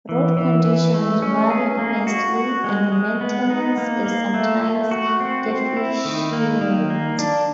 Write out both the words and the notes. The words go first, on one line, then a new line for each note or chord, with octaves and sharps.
Road conditions vary immensely, and maintenance is sometimes deficient.
E3
E3
E3
A3
C#4
G#4
A#3
F#4
F#4
G#3
G#3
B3
D#4
A#3
A#3
A3
A3
F#4
C4
C4
E4
D#3
A#3
D#3
A#3
D4